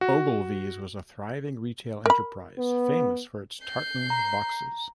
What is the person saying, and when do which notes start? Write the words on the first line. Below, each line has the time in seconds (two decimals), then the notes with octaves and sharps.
Ogilvy's was a thriving retail enterprise, famous for its "tartan boxes".
0.01 F#4
2.06 A#4 B5
2.58 B3
3.64 G6 C7
4.10 A#5